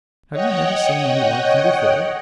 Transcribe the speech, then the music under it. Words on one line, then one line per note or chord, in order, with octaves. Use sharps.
"Have you never seen any like them before?"
C#5 D#5 F#5 G5